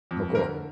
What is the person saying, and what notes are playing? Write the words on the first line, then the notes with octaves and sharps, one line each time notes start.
Oh, cool.
F2
D3 A#4